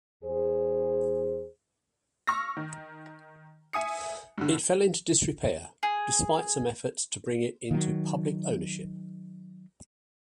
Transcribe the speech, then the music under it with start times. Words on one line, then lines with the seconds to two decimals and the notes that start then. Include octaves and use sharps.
It fell into disrepair, despite some efforts to bring it into public ownership.
0.24 E2 G#4 C5
2.27 C#6 E6 F6 A#6
2.57 D#3
3.73 E5 G#5 D#6 C#7
4.38 G2 D3
5.83 G#4
7.71 D#3 F#3